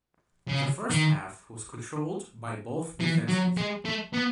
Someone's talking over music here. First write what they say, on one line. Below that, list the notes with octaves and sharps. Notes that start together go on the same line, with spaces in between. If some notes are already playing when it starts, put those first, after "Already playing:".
The first half was controlled by both defenses.
C#3
D#3
E3
F#3
G#3
A3
B3